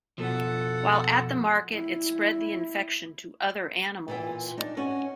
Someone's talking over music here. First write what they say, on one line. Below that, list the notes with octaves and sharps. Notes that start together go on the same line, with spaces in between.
While at the market it spread the infection to other animals.
F2 B2 F3 A4 F#5
E4
A#2 E3 G5
D4 D#4
C#4 F#4 C#5